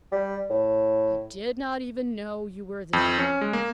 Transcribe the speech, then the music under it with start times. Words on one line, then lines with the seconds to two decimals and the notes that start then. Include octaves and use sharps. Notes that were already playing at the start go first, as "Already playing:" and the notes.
"I did not even know you were there."
0.12 G3
0.50 A2
2.93 F2
3.19 C#4
3.41 G#3
3.53 A#3